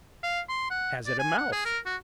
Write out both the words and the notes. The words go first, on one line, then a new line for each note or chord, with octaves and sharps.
Has it a mouth?
F5
C6
F#5
D5
G#5
F#5
G#4
A#4
F#4